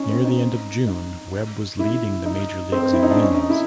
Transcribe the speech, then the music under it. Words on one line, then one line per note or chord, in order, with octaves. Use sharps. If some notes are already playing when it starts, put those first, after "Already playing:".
Near the end of June, Webb was leading the major leagues in wins.
Already playing: C#4 D#4
C4
D#4
D#4
E4
D#4
C4
E4
D#4
D4
C#4
D#4
E4